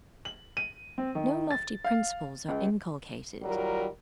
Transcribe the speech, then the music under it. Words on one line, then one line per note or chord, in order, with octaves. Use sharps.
No lofty principles are inculcated.
F#7
D#7
C4
D#3
A6
F5
C#2
D#3 F#3 G3 F4 A#4